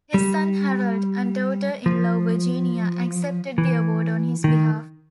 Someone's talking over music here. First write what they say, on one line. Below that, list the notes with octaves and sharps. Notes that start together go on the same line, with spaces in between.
His son Harold and daughter-in-law Virginia accepted the award on his behalf.
G3
F3
E3
D#3